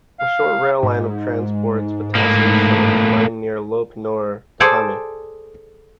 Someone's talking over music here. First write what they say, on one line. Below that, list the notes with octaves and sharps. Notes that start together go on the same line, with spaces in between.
A short rail line of transports potassium salts mined near Lop Nur to Hami.
F5
G#2
A2 A#3
G#4 A4 C5 D5